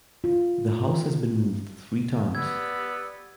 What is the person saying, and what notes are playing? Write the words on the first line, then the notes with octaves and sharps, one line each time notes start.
The house has been moved three times.
F4
B3 G4 D5 E6 G#6